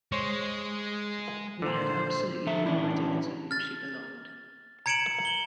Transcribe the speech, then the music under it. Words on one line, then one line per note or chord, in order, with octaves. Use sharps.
We had absolutely no idea to whom she belonged.
G#3 C5 C#5
A#2 D3 C5
F3 A4 E5
E3 C#4 D4 E4
F6 A6
A#5 G#6 C#7 D7 E7 F#7
F#7 G7